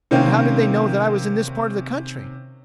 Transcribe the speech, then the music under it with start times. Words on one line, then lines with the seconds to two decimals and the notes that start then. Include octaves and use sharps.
"But how did they know that I was in this part of the country?"
0.11 C3 D#3 A#3 C4 C#4